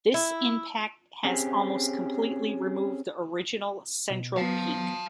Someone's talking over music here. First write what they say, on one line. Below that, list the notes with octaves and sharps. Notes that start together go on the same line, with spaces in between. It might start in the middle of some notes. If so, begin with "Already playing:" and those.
This impact has almost completely removed the original central peak.
E4
C4 C#4 G4 G#4
B2
F#3 B3 F5 A5